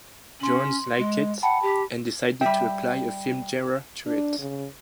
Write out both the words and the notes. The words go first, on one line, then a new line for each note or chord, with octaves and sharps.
Jonze liked it, and decided to apply a film genre to it.
C#4 C6 F#7
G#3
F#5 G5 A5 B5
G4
G3 E5 G5
D4
C#3